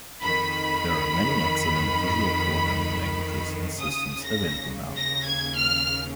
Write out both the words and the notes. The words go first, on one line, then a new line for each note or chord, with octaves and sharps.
There are many excellent visual programming languages and systems available now.
F2 D#3 B5
D#2 C#3 D#6
A#6
A#6
G#6
F6